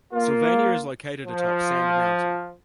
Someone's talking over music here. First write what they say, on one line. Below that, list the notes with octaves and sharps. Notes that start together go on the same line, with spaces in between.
Sylvania is located atop Sand Mountain.
A#3 F4
F3